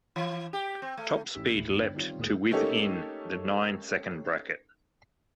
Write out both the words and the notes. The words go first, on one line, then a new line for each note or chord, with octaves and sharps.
Top speed leapt to with in the nine second bracket.
E3
G4
C4
A3
A1 E3 C#4 G4 E6 B6
D#1 A1 A2 E4 F#7
G2 D3 G3 B3
D#3 G3 C4 F4 C#5
F1 A#2 D#3 G#3 D#6 E7
A3 A#3 C#4 D#4 G4 A4